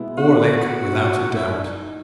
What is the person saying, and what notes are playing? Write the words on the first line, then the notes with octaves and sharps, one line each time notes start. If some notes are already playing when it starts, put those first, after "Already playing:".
Orlick, without a doubt!
Already playing: B2 G#3 B3 E4
F#4
F#4
D#4
E4
D4
D#4